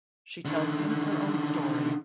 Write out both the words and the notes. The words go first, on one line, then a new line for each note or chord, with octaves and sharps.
She tells him her own story.
D3 D#3